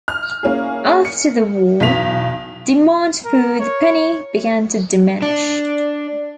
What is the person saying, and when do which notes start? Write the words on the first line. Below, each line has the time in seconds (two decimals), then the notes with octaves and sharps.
After the war, demand for the penny began to diminish.
0.08 F6
0.43 A#3 C#4 E4 G#4
1.05 C#7
1.80 B1 E2 B3 B6 F7
3.25 A#4
3.60 C#5
5.22 D4